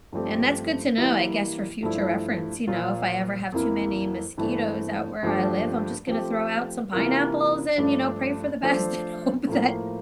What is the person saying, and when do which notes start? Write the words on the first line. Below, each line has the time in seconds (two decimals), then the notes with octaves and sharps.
And that's good to know, I guess, for future reference, you know, if I ever have too many mosquitoes out where I live, I'm just gonna throw out some pineapples, and, you know, pray for the best, and hope that
0.13 G2 F3 A3 C4 G4
0.98 E3 G3 A#3 E4
1.83 G2 F3 A3 E4
2.67 A#2 F3 A#3 F4
3.52 F2 E3 A#3 E4 A#4
4.38 G2 E3 A3 C4
5.23 G2 F3 A3 D4 G4
6.07 F3 A3 C4 G4
6.92 C3 E3 A#3 F4 A#4
7.77 G2 F3 A3 D4
8.63 F3 A3 D4 A4 C5
9.47 A2 F3 A#3